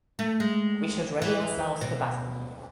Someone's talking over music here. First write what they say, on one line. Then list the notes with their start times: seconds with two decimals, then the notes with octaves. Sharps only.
We should ready ourselves for battle.
0.19 A3
0.40 G#3
1.22 E3
1.81 B2